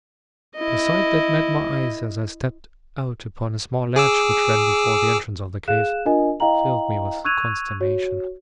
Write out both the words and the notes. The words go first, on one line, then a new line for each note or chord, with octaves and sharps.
The sight that met my eyes as I stepped out upon a small ledge which ran before the entrance of the cave filled me with consternation.
E4 D#5
G#4 D6 E6
G#4 F5 F#6 E7
D4 F4 A#4 D#5 G#5
E4 D#5 F5 G5 A#5 F#7
C#6 E6 F#6 G#6 D#7 F7
F#4 C#5